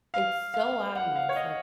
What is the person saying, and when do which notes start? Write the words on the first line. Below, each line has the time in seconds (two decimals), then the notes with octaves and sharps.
it's so obvious, like,
0.14 F5
0.54 F5
0.96 F#5
1.15 F5
1.29 C#5
1.36 D#5